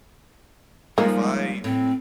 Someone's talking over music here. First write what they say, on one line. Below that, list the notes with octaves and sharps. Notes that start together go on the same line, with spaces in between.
if I
F3 G3 G#3 A#3 D#4
A2 C4